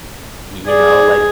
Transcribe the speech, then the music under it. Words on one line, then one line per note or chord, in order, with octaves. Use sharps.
You know, like
G#4 D5